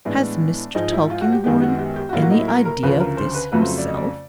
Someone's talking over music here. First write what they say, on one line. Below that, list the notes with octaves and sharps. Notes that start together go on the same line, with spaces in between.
Has Mr. Tulkinghorn any idea of this himself?
A2 E3 G#3 B3 D4
G#2 F3 G#3 D#4
E4
F4
F#4
G4
F#2 D#3 G#3 B3 G4
F#4
G4
G4
F#4
A2 F#3 A#3 F4
F#4
D#4
E4
A#4
A#4
D2 C#3 F3 B4
A#4
C5
B4
F2 C#3 F#3 A3 B4
C5
D5
D#5
D5